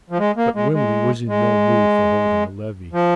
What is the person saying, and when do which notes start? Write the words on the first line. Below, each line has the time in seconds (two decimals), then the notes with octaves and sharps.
But Wimley was in no mood for holding a levee.
0.10 F3
0.19 G#3
0.37 A#3
0.55 G#3
0.73 G#3
1.28 G#3
2.93 F3